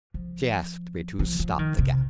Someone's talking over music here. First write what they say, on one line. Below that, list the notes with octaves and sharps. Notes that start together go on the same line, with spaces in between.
She asked me to stop the gap.
F3
F3
F3
D#3
C3